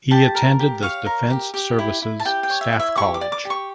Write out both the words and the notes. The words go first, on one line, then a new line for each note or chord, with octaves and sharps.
He attended the Defence Services Staff College.
G4 A5
A#4
G4
C#5 F5
A#4
G4
G4
E4
E4
A5
G4 G5
G5
C#5
E5
E4
E5
G4 C#6
D6
D5
D6
G4
C#6